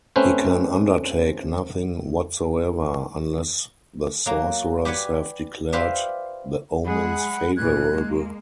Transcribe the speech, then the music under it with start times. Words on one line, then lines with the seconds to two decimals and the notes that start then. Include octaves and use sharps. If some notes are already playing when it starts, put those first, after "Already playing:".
He can undertake nothing whatsoever unless the sorcerers have declared the omens favorable.
0.16 A3 C4 C#4 B4 C5
4.26 F#3 A#3
4.85 G4 B4 D5 F#5 G#5
5.73 F4 G4 B4 C5 D5 E5
6.86 G#3 G#4 F#5 B5
7.57 A#2 E3 F#6 G#6
7.93 G#3 A#3